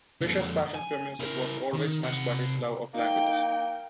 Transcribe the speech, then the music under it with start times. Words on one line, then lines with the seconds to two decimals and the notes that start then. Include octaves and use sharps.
Fischer's passion for music was always matched by his love of languages.
0.21 F2 D3
0.74 G#5
1.20 E4 A#4
1.73 D#3
2.04 C3 F#5
2.94 A#3 D#4 G5